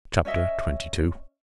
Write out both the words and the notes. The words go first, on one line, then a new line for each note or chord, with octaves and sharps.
Chapter XXII.
C#4 C#5 D#5 E5